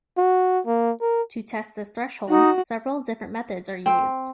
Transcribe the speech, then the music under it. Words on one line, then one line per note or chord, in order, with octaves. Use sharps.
To test this threshold, several different methods are used.
F#4
A#3
A#4
D#4 F#4
C4